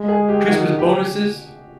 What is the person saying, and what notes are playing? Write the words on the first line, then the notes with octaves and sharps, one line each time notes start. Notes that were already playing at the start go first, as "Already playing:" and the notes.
Christmas bonuses.
Already playing: G#3
G#4
G4
D#3 F#4
G4